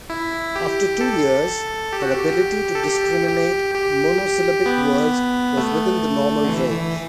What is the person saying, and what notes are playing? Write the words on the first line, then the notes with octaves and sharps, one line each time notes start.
After two years, her ability to discriminate monosyllabic words was within the normal range.
E4
G4
A4
G4
F#4
G4
A4
G4
G4
G4
B3
A3
D3
E3
E3